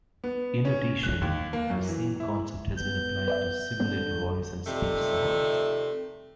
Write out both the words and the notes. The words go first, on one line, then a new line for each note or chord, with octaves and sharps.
In addition, the same concept has been applied to simulate voice and speech sounds.
B3
C#4
F#6
D#2
A#3
F#2
E3
E4
B3 G6
B4 D5 E5
D3 G3 A#3 C4
C3 D#3 F3 G3 A3